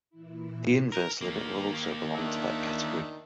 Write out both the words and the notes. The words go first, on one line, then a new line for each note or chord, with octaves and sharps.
The inverse limit will also belong to that category.
A#2 E3 E4
A#4
D#2 A#3
D#3 D4 E5